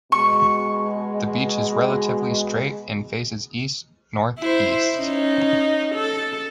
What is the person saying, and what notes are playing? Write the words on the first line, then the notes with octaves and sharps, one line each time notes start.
The beach is relatively straight and faces east-north-east.
B2 G#3 C#6
E4 C5
C#4 D#4
A4